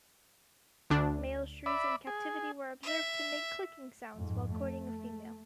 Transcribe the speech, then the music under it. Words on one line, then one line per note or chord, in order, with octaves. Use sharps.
Male shrews in captivity were observed to make clicking sounds while courting a female.
D2 D4
D5 E5 B5
G#4
E5
F2 G#2
A3